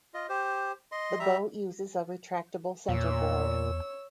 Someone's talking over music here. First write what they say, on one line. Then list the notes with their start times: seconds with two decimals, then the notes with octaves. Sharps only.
The boat uses a retractable Centreboard.
0.14 F4 D#5
0.29 G4 C5
0.92 D#5 C6
1.20 G3 E5 A#5
2.89 E2 A#2 C#5 E6